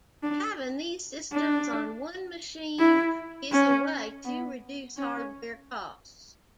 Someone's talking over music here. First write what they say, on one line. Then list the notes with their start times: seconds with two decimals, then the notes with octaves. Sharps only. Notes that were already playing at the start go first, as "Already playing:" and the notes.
Having these systems on one machine is a way to reduce hardware costs.
0.23 D4
1.32 D4
2.79 E4
3.52 C#4
4.25 B3
4.97 C#4